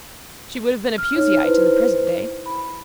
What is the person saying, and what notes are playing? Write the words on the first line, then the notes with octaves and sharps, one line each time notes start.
She would have been a Puseyite in the present day.
F6
D#4 C#5
E4 B4 C5
B5